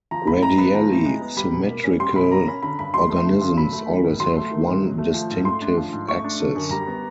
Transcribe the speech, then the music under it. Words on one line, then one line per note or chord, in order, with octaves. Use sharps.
Radially symmetrical organisms always have one distinctive axis.
F3 A#5
A2 B5
G#3 A#5
B3 B5
F3 A#5
A2
G#3
B3
G3 B5
B2
A#3
C#4
G3 C6
B2 B5
A#3 A#5
C#4 B5
D3 B5
G2 B5
F#3 C6
A3
D3
G2
F#3 B5
A3
D#3
G#2
F#3 C6
A3
D#3
G#2
F#3
A3
F3
G#2
A3 C6
D4
F3
G#2
A3 C#6
D4
D3
F#2
G3 A#5
B3